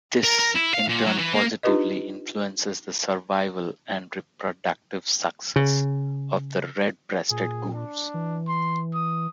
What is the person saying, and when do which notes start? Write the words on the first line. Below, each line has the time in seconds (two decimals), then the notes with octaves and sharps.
This in turn positively influences the survival and reproductive success of the red-breasted goose.
0.24 A#4
0.39 A#4
0.55 E4
0.74 F5
0.88 A#2
1.06 F#3
1.18 E3
1.34 A#3
1.63 D4 D#4 F4 G4 B4 D#5
5.56 C#3
7.31 A#2 G#4
7.73 D4
8.14 E3
8.48 C6
8.94 D#6